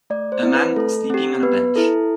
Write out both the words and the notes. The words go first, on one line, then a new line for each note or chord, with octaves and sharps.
A man sleeping on a bench.
A3 D5
C5
C4 E4
B4
A3 A4
C4 G4
B3 B4
E4 A4